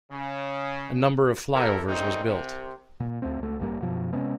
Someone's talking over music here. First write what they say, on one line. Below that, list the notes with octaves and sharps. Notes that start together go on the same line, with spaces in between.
A number of flyovers was built.
C#3
C3 F3 E4 G4 A4 A#4
C#3 G3 A3 A#3 C4 D#4
C2 C3
A#2
D2 A3 C4
C#2 A3
A1 G2 G3 A#3
F#2 B2 F3
C3 G#3 B3 C#4